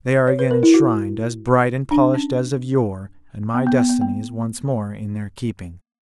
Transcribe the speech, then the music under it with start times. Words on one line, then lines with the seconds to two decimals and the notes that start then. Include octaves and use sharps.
They are again enshrined, as bright and polished as of yore, and my destiny is once more in their keeping.
0.27 C#5
0.39 B4
0.51 A#4
0.63 E4
0.74 F#4
1.91 D4
2.14 C#4
3.54 B3
3.67 B3
3.78 B3
3.89 B3
4.01 A#3